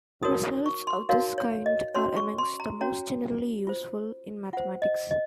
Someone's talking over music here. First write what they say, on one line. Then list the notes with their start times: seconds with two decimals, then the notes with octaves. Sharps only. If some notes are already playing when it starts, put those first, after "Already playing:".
Results of this kind are amongst the most generally useful in mathematics.
0.23 D#4 F#4 A#4 C#5 D#6
0.66 C#6
0.87 C6
1.09 D#4 F#4 A#4 C#5 F5
1.38 C#5
1.66 D#5
1.95 C#4 F#4 C#5 C6
2.17 C#6
2.38 C6
2.60 A#5
2.81 C#4 F#4 C#5 A#5
3.67 F4 C5
4.53 F4 C5 F#5
4.82 D#5
5.11 D#5